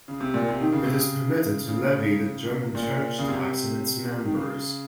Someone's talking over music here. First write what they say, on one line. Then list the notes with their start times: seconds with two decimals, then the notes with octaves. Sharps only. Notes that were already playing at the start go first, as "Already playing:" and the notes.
It is permitted to levy the German church tax on its members.
0.08 C#3
0.20 C3
0.34 A#2
0.48 C3
0.60 D#3
0.72 C#3
0.84 C3
0.94 C#3
1.68 C#3
2.75 A#2
3.19 C#3
3.28 C3
4.25 D#3
4.35 C#3